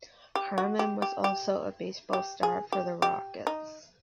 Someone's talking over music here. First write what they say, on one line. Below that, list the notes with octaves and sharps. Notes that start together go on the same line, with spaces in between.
Harmon was also a baseball star for the Rockets.
G4
F#4
G4
G4
G4
G4
G#4
G4
G4
D#4